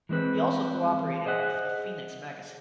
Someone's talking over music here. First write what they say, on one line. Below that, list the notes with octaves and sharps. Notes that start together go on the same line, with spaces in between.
He also cooperated with the "Fenix" magazine.
E3 G#3 C4 B4
G#4 C5 D#5 E5 F#5